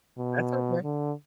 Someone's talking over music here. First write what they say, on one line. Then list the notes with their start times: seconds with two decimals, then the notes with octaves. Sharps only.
That's okay.
0.18 B2
0.84 D3